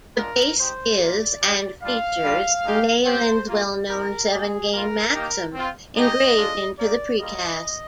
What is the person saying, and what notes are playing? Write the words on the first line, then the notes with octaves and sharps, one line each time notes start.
The base is and features Neyland's well-known seven Game Maxims engraved into the precast.
G#3 D4 F4 A#4
G#3 D#4 G4 C5
A#3 F4 D5
G3 D4 G4
G3 D4 F4 F5
G3 D4 F4
G#3 D#4 G4
C4 G4 C5
A#3 F4
G3 C4 D#4 A#4
A#3 D#4 G4 G#4
G3 A#3 F4 A#4
A#3 D#4 G4
C4 F4
G#3 D#4 G4 D#5
G#3 D4 F4
A#3 D#4 G4 D5
G3 A#3 F4 D#5